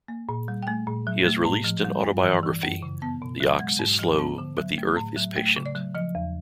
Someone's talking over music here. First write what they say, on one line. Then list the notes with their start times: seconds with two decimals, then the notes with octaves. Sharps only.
He has released an autobiography, "The Ox is Slow but the Earth is Patient".
0.08 A#3
0.29 A#2
0.48 G3
0.63 G5
0.67 A3 G#5
0.87 A#2
1.07 F#3
1.26 A3
1.45 A2
1.64 F3
1.84 G3
2.03 G2
2.24 E3
2.43 E3
2.63 F#2
2.83 C#3
3.02 B3 A5
3.22 B2
3.40 F#3
3.60 G#3
3.79 G#2
3.99 F3
4.19 B3 A5
4.38 D3
4.58 F#3
4.78 A3
4.97 A2
5.16 F#3
5.36 A3 G5
5.56 C#3
5.66 D5
5.75 F#3
5.95 F3 D#5
6.15 E2